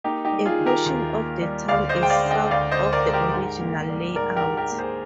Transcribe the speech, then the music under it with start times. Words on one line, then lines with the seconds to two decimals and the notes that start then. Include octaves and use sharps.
A portion of the town is south of the original layout.
0.04 A#3 D#4 G4
0.25 D#4 G4
0.32 G3
0.45 F4 G#4
0.59 D#3
0.66 G4 A#4
0.86 D#2
1.13 A#3
1.41 G3
1.68 D2 D5 F5
1.89 C5 D#5
1.96 G#3
2.03 G5
2.10 D5 F5
2.24 D3
2.31 D#5 G5
2.51 D2 D5 F5
2.71 C5 D#5
2.79 D2
2.93 A#4 D5
3.06 G#3
3.13 G4 A#4
3.33 G#2
3.61 A#3
3.89 G3
4.16 G#2 A#4 D5
4.36 G4 A#4
4.43 G#2
4.57 G4 A#4
4.71 A#3
4.78 G#4 C5